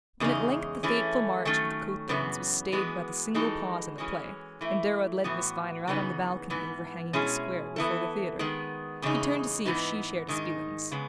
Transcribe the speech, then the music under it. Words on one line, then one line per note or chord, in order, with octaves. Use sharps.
When at length the fateful march of the cothurns was stayed by the single pause in the play, and Darrow had led Miss Viner out on the balcony overhanging the square before the theatre, he turned to see if she shared his feelings.
E2 C#3 G#3 D#4
E3 A3 C#4 G#4
D#3 F#3 A3 C#4
F#2 C#3 E3 B3
E3 G#3 B3 F#4
E3 G#3 D#4 F#4 A4
E3 G#3 C#4 F#4
E3 A3 E4
A2 E3 B3 F#4
C#3 E3 B3 D#4
G#2 E3 B3
B2 G#3 C#4 E4 G#4
E3 B3 E4 A4
D#3 G#3 B3
E2 C#3 G#3 D#4
G#2 E3 B3 D#4
G#2 D#3 G#3 D#4
C#3 G#3 B3